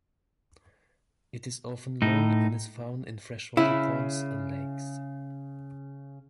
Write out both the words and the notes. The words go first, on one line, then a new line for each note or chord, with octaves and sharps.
It is often long and is found in freshwater ponds and lakes.
A2 D#4
C#3 E4